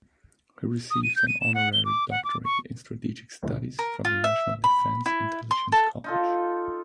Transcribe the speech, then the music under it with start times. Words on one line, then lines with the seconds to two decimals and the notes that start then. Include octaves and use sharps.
He received an honorary doctorate in strategic studies from the National Defense Intelligence College.
0.91 D#6
1.04 D#7
1.16 G6
1.28 D#7
1.41 E7
1.55 F#5
1.73 G7
1.85 D6
2.11 F#5
2.24 D6
2.45 C#6
3.79 A#4
4.05 F4
4.24 E5
4.64 B5
5.06 E4
5.51 C6
5.72 A4
6.04 D#4 F4 A4